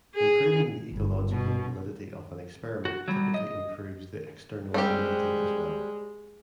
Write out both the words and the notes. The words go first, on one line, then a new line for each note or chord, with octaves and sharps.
Improving the ecological validity of an experiment typically improves the external validity as well.
G#4
G1
B2
F#4
F#3 G3
D#5
G3 G#3 C4 G4